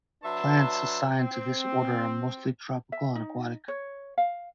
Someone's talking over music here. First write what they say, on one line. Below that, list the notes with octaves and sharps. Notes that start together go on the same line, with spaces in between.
Plants assigned to this order are mostly tropical or aquatic.
F#3 D4 B4 E5 A5 C6
C4
E5
D#4
C#5
F5